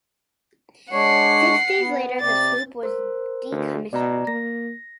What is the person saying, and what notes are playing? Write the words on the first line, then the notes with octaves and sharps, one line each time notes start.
Six days later, the sloop was decommissioned.
G#3 D4 C#5 F#5 C7
B3
C3 D5 A6
A#4 C5
D2
B2 D5 A#5
A#3 A#6